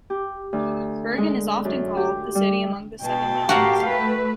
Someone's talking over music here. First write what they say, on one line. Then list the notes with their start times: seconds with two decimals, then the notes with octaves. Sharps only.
Bergen is often called 'the city among the seven mountains'.
0.10 G4
0.53 D2
1.18 G#3
1.65 F#2
1.97 G4
2.35 G3
3.01 B2 G5 A5
3.49 A2 F#4 G4 A#4 F5 F#5
3.87 A3 B4